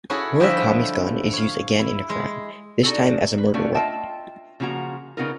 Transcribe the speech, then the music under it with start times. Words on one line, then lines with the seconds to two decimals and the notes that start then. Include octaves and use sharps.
Murakami's gun is used again in a crime, this time as a murder weapon.
0.10 C#4 E4 F#4 G#4 A4
0.40 D3 F3 G3 E4 D#5 E5
1.33 C#5 F5
1.79 E4
2.10 G#3
2.83 D4 D#4 F4 F#4 G#4 A4
3.38 B4
3.54 A3 C#4 D4 F4 F#4
3.75 F4 D#5 E5 G5 A5
4.60 C#3 F3 A#3 F#4 A#5
5.17 C#3 B3 D#4 F4 A#4